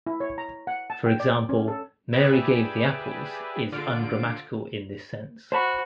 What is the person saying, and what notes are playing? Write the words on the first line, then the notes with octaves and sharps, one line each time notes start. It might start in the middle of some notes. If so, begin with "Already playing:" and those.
For example, "Mary gave the apples" is ungrammatical in this sense.
E4
C#5
A#5
F#5
A5
G5
D5
C#4
A4
G4 G#4 B4 D5 E5
D3 F4 D5 D7
F#4 C5 A5 B5